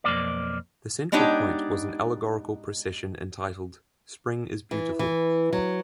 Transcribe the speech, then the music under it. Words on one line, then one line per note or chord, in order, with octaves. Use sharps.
The central point was an allegorical procession entitled "Spring is Beautiful".
B1 F2 A#2 A#3 D5
G#3 B3 D4 D#4 G4 C#5
E3
E3
F#3